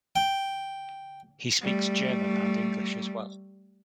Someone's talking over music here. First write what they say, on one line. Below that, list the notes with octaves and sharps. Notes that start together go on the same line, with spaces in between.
He speaks German and English as well.
G5
G3 A3